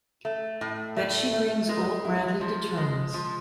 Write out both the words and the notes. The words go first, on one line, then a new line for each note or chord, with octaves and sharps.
Bet she brings old Bradley to terms.
A3
A2
A3
A3
G#3
E4
F3
G#3
F3